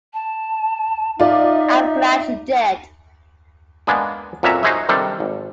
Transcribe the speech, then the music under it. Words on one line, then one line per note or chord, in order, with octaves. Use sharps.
I'm glad you did.
A5
D#4 F4 D5 E5
G#3 A#3 B3 D4 G#4
F2 A#2 F#3 C#4 E5 A#5
D#4 F#4 G#4 C5 D#5 E5
C3 D#3 G3 D4 A4
G#1